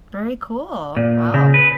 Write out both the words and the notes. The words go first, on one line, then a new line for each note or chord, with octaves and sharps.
Very cool, wow.
A#2
C#3
B4